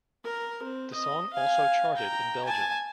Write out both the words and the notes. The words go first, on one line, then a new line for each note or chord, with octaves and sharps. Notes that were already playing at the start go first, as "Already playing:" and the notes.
The song also charted in Belgium.
A#4
C4
D#5
F5 G#5
G5 A#5
G#5 A5